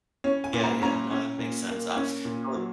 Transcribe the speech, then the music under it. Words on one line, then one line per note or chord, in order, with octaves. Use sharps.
Yeah, yeah, no, that makes sense, uh, so
C#4 C#5
G#5
A#2
A#5
C#4 A#5
C#4
A#2
A#3
C#4
A#2
F#3